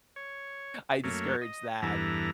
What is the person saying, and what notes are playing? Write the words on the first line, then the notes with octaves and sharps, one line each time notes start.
I discourage that,
C#5
F#2 A3 A#3 C#5
D#5
E2 G2 E3 A4 A#5